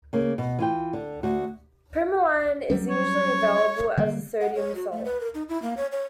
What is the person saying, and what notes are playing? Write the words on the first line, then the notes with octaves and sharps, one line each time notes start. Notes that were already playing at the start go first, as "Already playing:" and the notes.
Primuline is usually available as a sodium salt.
C#3 A#3
B2
E3 F4 G5
D3
D2 F#4
F#3 G3 C#4
C#5
D3 G3 A#3
F#5
C#5
F#4
A3
B4
A#4
D#4
E4
A#3
C#5
C#5